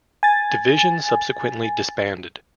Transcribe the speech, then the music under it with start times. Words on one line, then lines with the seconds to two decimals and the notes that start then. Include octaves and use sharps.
Division subsequently disbanded.
0.23 G#5 A6